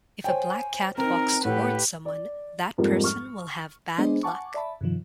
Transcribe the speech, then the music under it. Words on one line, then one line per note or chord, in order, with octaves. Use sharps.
If a black cat walks towards someone, that person will have bad luck.
C5 C#5 G5 G#5
C4 D#4 A#4 A#5
A2 G4 B4 F#5
D5
F2 G#2 F3 G3 A#3 D#4
C#6 F6
G#3 B3 D4 G#4 C5 D#5
F#5 G#5 A5 C#6 D6
D5 E5 A5 B5
G2 C3 D#3 F3